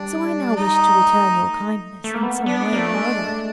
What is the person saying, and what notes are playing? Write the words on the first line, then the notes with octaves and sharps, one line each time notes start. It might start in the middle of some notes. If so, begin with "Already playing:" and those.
So I now wish to return your kindness in some way or other.
Already playing: G3 D4
D#4
A3
A3
A#3
B3
B3 D4
A#3
A3
G#3
A3